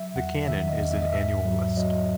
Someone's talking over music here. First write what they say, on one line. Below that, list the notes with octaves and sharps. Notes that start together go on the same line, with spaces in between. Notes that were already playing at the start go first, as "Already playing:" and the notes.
The Canon is an annual list.
Already playing: F#3 E5
E2 F#5
D#3 E5
D#5
E2
E5
D#5
G#2 E5
F#3
F#3 D#5